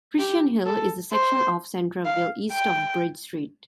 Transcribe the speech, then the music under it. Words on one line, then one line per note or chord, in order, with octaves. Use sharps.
Christian Hill is the section of Centralville east of Bridge Street.
G4
A4
C5
F5
G5